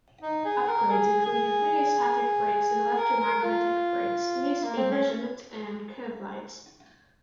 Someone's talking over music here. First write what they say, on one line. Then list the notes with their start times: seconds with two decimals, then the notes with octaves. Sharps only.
Upgrades included rheostatic brakes and electromagnetic brakes, new speed measurement and curve lights.
0.22 D#4
0.45 G#4
0.68 A#4
0.91 G#4
1.26 G#4
2.98 A#4
3.20 A#4
3.43 F4
4.64 A#3
4.77 C4
4.91 C#4